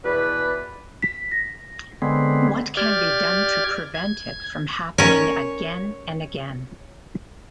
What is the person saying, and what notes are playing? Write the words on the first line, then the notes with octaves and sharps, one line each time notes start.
What can be done to prevent it from happening again and again?
E2 B2 B4 D5
B6
A#6
D3 G#3 B3 C4
G4 D5 F6 G#6
G#6
C#4 A#4 C#5